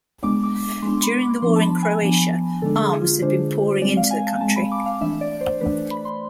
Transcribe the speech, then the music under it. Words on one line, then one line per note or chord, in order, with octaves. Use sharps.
During the war in Croatia, arms had been pouring into the country.
G#3 B3 D4 D6
D6
G#3 B3 D4 C6
B5
D6
F3 B3 D4 C6
A5
B5
G#5
F3 B3 D4
D3 G#3 D4 A4
G#4
F4
D3 G#3 D4 C5
G#3 C4 D5
F5
G#5
A5
G#3 C4 A5
B5
D6
F5
E3 A3 D4 E5
D5
C5
E3 A3 D4 B4
B5
C6